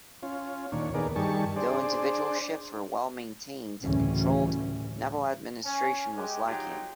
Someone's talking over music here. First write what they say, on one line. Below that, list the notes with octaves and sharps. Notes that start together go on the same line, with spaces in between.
Though individual ships were well-maintained and controlled, naval administration was lacking.
C#4 F4
D#2 A#2 D4 C#5
D#2 B3 G#4 A#4 D5
G2 D#3 G3 G#4 A5 C#6
D4 G#4 C5 D5
A1 D2 C#3 E3 G3 C#4
C#4 G#5
G#3 G4
F3 F#3 G#3 D#4 G4